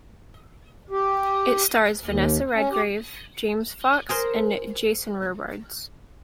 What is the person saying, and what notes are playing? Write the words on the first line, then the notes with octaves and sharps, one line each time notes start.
It stars Vanessa Redgrave, James Fox, and Jason Robards.
G4
D#2
C#4
G4
G#4 A#4 C5